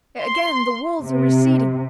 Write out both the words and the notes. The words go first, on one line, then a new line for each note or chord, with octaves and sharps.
Again the walls are receding....
C6
C3